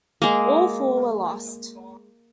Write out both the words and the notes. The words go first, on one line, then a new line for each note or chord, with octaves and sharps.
All four were lost.
G#3 A#3